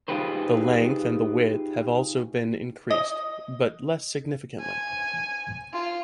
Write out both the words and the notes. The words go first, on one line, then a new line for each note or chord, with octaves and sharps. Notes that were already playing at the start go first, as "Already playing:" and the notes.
The length and the width have also been increased, but less significantly.
D#4 F4 G4 G#4 B4 C5
D#5
G#5
F4